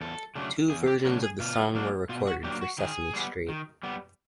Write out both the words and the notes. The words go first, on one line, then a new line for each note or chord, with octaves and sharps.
Two versions of the song were recorded for "Sesame Street".
E2 A4
C#3 F#3 A3 D4
E2 G#4
G4
C#3 F#3 A3 D4 A#4
G#4
B2 F4
F#3 A#3 D4
B2 F4
F#4
F#3 A#3 D4 G4
F#4
D#3 G#4
G3 B3
D#3
G3 B3